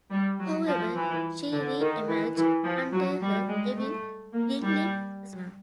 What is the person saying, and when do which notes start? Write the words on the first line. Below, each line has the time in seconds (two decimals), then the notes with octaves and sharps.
However, she re-emerged under her evil Yinling persona.
0.11 G3
0.39 F#3
0.67 F3
0.96 E3
1.52 D3
1.80 D#3
2.08 E3
2.36 E3
2.63 F3
2.92 F#3
3.21 G3
3.49 G#3
3.77 A3
4.33 A#3
4.62 G3